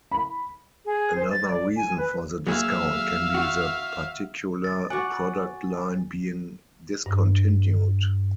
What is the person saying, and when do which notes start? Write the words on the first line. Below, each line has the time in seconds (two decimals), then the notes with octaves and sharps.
Another reason for the discount can be the particular product line being discontinued.
0.11 B5
0.86 G#4
1.16 C5
1.31 A6
1.48 D5
1.77 G#5
1.97 B4
2.47 F#3 A#3 G#4 E5 F5
3.34 F#4
4.64 A6
4.90 F#4 D5 F#5 G#5
7.06 G2